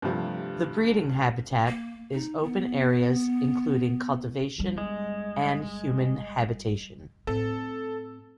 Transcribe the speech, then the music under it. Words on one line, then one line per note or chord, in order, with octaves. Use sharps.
The breeding habitat is open areas including cultivation and human habitation.
G2 C3 F3 A3
A#3
D#4
B3
G1 G3
G#3
A2 C4 A4